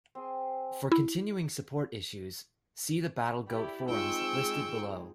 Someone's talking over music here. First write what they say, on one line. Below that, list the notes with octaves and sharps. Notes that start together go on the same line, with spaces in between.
For continuing support issues see the BattleGoat Forums listed below.
C4 G#4
E4
E4 G4 D5 B5
G#3 C4 D#4 F4 G#4 G5 C#6 E6